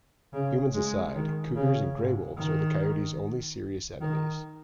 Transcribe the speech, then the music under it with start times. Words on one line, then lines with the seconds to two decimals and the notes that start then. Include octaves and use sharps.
Humans aside, cougars and gray wolves are the coyote's only serious enemies.
0.33 C#3
0.74 G#3
1.15 D#3
1.55 C#3
1.96 G#2
2.37 D#3
4.01 D#3